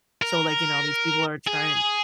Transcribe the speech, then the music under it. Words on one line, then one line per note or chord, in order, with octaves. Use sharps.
so, like, you know, these people are trying
A#4
G#4